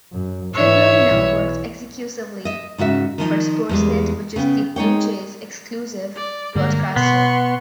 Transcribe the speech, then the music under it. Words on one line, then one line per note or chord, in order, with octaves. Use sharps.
Tabler now works exclusively for Sportsnet, which is the Blue Jays' exclusive broadcaster.
F#2
G#2 E3 C#5 E5
B1 E3
D#5 E5
G#2 C#3 F#4 E5
D#3 F3 D#4
E2 G3 G#3
C#3 B3 G5
G#3 D#4 C#5 G5
D5
G2 D3 G#3 A#3
B2 B3 C6 C#6